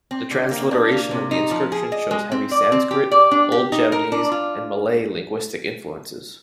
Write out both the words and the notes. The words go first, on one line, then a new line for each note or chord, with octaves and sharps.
The transliteration of the inscription shows heavy Sanskrit, Old Javanese and Malay linguistic influences.
C4
D3
A#3
D4
A#3
C3
D#4
F3
G#4
D#5
G#3
C4
D5
C4
G4
D5
D4
G4
D#4
A#4
D4
F4